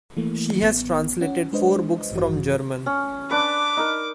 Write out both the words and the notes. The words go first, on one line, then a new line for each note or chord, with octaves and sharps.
She has translated four books from German.
E3 A3 A#3
A1 B3
C#4 F#5
G#3 D4 B4 C5 D#5
A1 G2 E3 F#4
C#4
D4 B4 D6
D#4 A#4